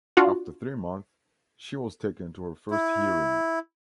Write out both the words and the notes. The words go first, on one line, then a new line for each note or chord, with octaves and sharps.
After three months, she was taken to her first hearing.
D4 F4 F#4
E4